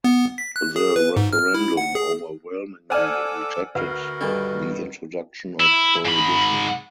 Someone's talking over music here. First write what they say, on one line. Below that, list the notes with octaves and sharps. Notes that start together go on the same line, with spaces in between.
The referendum overwhelmingly rejected the introduction of prohibition.
B3
B6
F#6
G#4
B4
G#2
F6
E4
F#5
G#4
A4 C5 D5 F#5 G#5 D6 E6 F6
D2 F#4 A#4 B4 F#5
G2 D#3 D4 A4
E4
G#2 B5